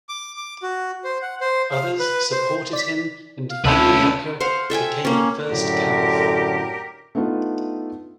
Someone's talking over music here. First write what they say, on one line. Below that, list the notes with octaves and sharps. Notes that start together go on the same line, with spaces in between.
Others supported him, and Abu Bakr became the first caliph.
D6
D6
F#4
C5
F#5
C5
F5
B4
C5
D5 B6
F5
D2 C3 C#4 E4 A4 B4 E5
C5 F5 F#5
A4 E5 G5 G#5
A#3 C#4
F#2 A2 D3 G4 A#4
A3 B3 D4 D#4 F4